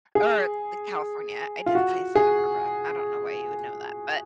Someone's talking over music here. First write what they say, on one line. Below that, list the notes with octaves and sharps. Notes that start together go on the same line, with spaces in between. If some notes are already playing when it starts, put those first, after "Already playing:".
or C California, I didn't say Santa Barbara, I don't know why you would know that, but
G#4
F4
F#4
G#4